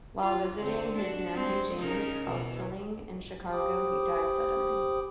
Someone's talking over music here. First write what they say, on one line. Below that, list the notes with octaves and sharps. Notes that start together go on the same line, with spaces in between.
While visiting his nephew James Houghteling in Chicago he died suddenly.
F4
D3 C4
D4 F#4
G3 G#3 C4
C#3 D#4 A#4
B2 E3 B3
G4 C5 G5 B5 D6 D#6